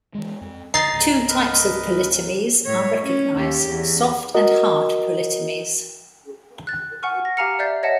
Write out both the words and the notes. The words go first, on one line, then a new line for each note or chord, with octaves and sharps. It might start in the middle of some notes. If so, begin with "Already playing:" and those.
Two types of polytomies are recognised, soft and hard polytomies.
E3 F#3 G#3
F2
F2 D3 F3 D#4 A6 C7
C#2 G#2
A#4 B4 D#5
A2 C#5
C#4
D#2 G4
E2
F#4 A#4 D#5
F#6 A6
F#5 G#5 C#6 F6
A#6
G4 F5 G#5 A#5 F6 C#7
D5 E5 G6 A6 C7
C#5 D#5 E5 F#5 A5